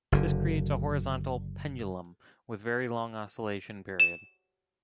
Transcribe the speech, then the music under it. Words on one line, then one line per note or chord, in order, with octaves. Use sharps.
This creates a horizontal "pendulum" with very long oscillation period.
F#1 D3
E7